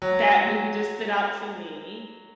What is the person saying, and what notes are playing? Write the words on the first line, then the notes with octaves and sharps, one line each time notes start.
that movie just stood out to me
F#3